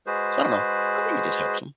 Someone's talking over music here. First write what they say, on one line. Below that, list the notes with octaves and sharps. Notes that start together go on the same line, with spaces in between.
So I dunno. I think it just helps 'em.
G#3 F#4 G#4 B4 C5